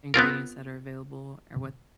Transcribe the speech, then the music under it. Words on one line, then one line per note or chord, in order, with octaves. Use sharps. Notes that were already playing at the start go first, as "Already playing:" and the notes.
ingredients that are available or what
B3 C4 F4 A#4